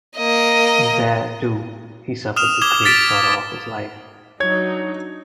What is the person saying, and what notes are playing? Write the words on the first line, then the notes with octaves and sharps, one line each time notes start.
There, too, he suffered the great sorrow of his life.
A#3 D#5
D#6 F6 E7 F7
D6 D#6 G#6 G7
A6 B6 D7
F#3 D4 D#4 C#5 G#6